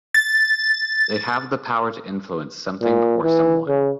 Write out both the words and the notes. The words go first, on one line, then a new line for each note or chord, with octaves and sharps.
They have the power to influence something or someone.
A6
A#2
E3
C#3